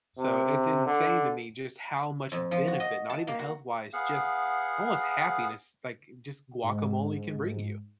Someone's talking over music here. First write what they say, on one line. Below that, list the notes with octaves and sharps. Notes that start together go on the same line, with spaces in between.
So it's insane to me just how much benefit, not even health-wise, just almost happiness, like just guacamole can bring you.
C3
D3
F2
F3
F#4
D#5
A5
A#3
F#4
B3 G#4 F5 F#5
G#2